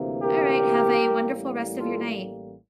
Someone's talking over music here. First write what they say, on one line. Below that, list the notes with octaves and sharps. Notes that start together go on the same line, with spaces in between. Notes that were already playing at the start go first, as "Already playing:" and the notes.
All right, have a wonderful rest of your night.
Already playing: D2 C3 E3 A#3
G4 A#4
A1 A2 G3 A#3
F4 A4